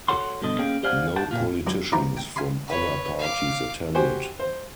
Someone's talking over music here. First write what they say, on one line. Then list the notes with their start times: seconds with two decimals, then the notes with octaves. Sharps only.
No politicians from other parties attended.
0.08 F#4 A4 C#5 F#5 C6
0.42 G2 B2 D3 A4 D#5
0.58 A#3 C#4 G#4 F5 G5
0.83 G4 C5 D5 F5 F#5 G#5
1.16 F#5 G5 A5
1.31 A#2 F4
1.67 F#2 D4
1.92 D#2 F3 E4 B4 D5 A#5
2.17 G5
2.36 F5 G#5 B5 C6
2.68 B4 C#5
3.19 F5 D6
3.95 F#4 G4 C5 G5 G#5
4.39 C5